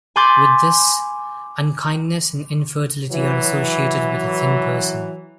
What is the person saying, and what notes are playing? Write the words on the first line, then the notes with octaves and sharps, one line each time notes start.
With this, unkindness and infertility are associated with a thin person.
G#5 B5 C6 D6 G6 A6
E3 F#3